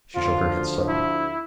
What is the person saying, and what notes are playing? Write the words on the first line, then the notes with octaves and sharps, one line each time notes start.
She shook her head slightly.
D2 D3 F3 F4
E4